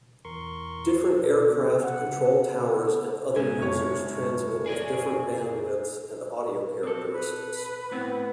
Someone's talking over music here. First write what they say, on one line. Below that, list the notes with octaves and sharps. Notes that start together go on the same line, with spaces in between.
Different aircraft, control towers and other users transmit with different bandwidths and audio characteristics.
E2 A#4 C6 C#6
B2
B3
F#5
C#3
B3
G#2 G#5
F#1 C#5
G#4 D5 G#5
C4 A4
B4
A2 B3 C4